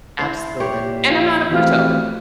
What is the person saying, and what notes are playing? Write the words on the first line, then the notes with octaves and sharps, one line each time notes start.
Absolutely, and I'm not a pushover.
E4 C5 C7
A#2 G4 C#5 F#5
F3
E3 A3 C4 F#4 G4 F5 F6